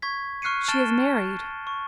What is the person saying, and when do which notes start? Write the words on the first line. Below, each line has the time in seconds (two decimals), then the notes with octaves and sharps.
"She is married."
0.02 C#6 G#6 B6
0.42 C#6 F6 F#6 C7 C#7 D#7
0.68 A5 F6 A6 D7 E7 G7
1.67 C#6